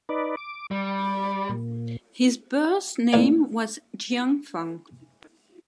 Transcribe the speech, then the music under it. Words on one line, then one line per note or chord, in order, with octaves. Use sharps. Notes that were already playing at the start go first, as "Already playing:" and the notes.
His birth name was Jiang Fang.
D#4 B4 D5
D6
G3 D5
A#2
D#2 A2 A#3 D5 G#5